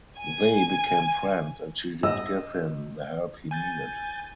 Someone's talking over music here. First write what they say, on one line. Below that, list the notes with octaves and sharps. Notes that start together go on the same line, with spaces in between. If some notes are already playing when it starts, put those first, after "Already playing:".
They became friends and she did give him the help he needed.
G#5
D#5 E6
G#5 G6 A6